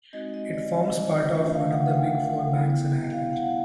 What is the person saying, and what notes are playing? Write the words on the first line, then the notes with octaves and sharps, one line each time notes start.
It forms part of one of the Big Four banks in Ireland.
G#3 C4 D#4 F#4 D#5
D#5
D5
D#5
D5
D#5
A3 D4 F4 E5
F5
F#5
G5
G3 B3 E4
F5
F#5